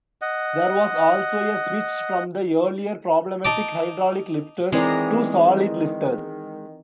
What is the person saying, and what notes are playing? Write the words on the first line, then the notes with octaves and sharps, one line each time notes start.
There was also a switch from the earlier problematic hydraulic lifters to solid lifters.
D#5 F#5
D#4 A5 D6
D#3 E3 G#3 C4 D5 A#5